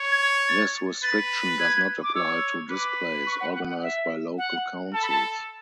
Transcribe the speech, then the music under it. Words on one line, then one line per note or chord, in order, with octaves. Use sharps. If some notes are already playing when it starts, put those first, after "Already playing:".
This restriction does not apply to displays organised by local Councils.
Already playing: C#5
G#6
A6
B4 A6
G#6
D6
C#5 E6
B4 D6
C#6
F#5
F#5
F#5
E5
F#5
A4 A5
B5
A5